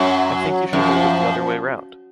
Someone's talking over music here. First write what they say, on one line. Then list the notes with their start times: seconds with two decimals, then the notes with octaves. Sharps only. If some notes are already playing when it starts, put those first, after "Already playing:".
I think you should hold it the other way round.
Already playing: F#2 F#3
0.73 F#2 F3